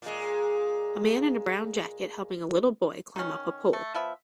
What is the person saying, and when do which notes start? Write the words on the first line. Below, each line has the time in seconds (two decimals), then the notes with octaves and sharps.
A man in a brown jacket helping a little boy climb up a pole.
0.02 A#2 G#3
3.16 D#3 C#4
3.73 A3
3.94 F3 B3 E5